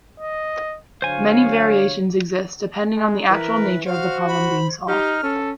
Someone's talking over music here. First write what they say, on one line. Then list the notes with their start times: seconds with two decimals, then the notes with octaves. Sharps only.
Many variations exist depending on the actual nature of the problem being solved.
0.20 D#5
1.02 D3 F#3 C5 C#5 F5 G#5
2.96 G#3
3.30 E3 A#4 B4
3.86 F#4 C5 F5
4.28 B5
4.88 D#4 G4 F6
5.23 C#4 A4